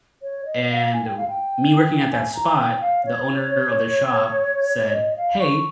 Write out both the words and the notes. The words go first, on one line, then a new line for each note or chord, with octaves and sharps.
and wh me working at that spot, the owner of the shop said, "Hey,
C#5
D#5
F5
G#5
G5
F5
G5
G#5
A#5
G5
F5
C#5
D#5
F5
C#6